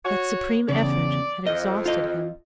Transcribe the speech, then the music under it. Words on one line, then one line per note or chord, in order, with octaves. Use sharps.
That supreme effort had exhausted him.
F#4 C#5
E2 C#3 D5
F2 D#5
F4 D#5